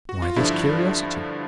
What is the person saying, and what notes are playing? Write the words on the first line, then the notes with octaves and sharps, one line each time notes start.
Why this curiosity?
F#4
F4
G2 D3 F3 E4